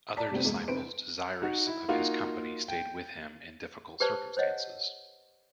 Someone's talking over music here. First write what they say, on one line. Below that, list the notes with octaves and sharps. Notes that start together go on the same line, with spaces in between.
Other disciples desirous of his company stayed with him in difficult circumstances.
D5 A5 A#5 B6
C3 G3 A3 B3 C4
E2 G#3 A#3
F1 F2 B4 C5 D7
D#4 F#4
E4
A#3 D#4 F4 F#4 F5
G5
G4 B4 C5 D5 A5
C5 C#5 D#5 F#5